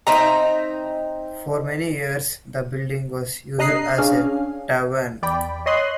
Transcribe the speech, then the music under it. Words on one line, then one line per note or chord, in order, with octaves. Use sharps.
For many years the building was used as a tavern.
C4 D#4 E5 A#5
C3 D4 D#5 A#5 F#6 C7
C#4 D4 G#4 F5 G#5
E2 D5 G5 B5
C#5 D#5 B5 C6 D#6 F#6